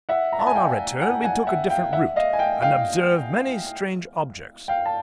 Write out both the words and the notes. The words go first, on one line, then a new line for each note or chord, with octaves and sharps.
On our return we took a different route, and observed many strange objects.
E5 F#5
A#5
A5
G#5
F5 G5
F#5 G#5
F#5 G#5
E5 F#5
F5 G5
E5 F#5
D#5 F5
G#5
F5 G5
F5 G5
F5 G5
A5